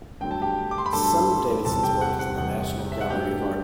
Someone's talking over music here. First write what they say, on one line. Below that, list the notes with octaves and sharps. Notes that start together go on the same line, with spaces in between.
Some of Davidson's work is in the National Gallery of Art.
G2 D3 F#3 A3 G5
A5
G4 G5
D6
C6
B5
G2 D3 F#3 A3 A4 A5
E2 C3 G3 A4 A5
G4 G5
F#5
F#5
E2 C3 G3 F#5
E5
F#5
G2 F#3 A3 G4 G5